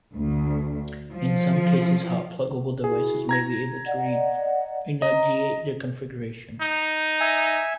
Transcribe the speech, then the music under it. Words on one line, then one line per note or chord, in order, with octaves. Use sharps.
In some cases, hot pluggable devices may be able to renegotiate their configuration.
D2
F3
E4 F#4 G#4
A#5 G#6 A#6
D5 D#5 F#5
D#5 A#5
D#4
E5 G#5